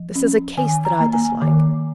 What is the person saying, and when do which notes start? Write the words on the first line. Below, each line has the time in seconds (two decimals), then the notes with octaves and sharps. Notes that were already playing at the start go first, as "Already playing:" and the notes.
This is a case that I dislike.
Already playing: F3
0.15 C#4
0.57 D#3 G#5
0.85 A#5
1.00 A#3
1.13 G#5
1.42 D#3